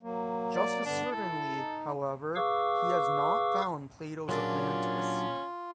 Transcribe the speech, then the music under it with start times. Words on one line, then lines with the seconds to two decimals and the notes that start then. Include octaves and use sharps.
Just as certainly, however, he has not found Plato's Atlantis.
0.03 F#3 A#3
0.55 D5
0.85 G2 D3 B3 D4
1.11 E4 A4
1.55 D#4
2.36 G#4 B4 F5 C#6 D6 E6
4.29 A#2 C#3 F#3 C#4 D4 F4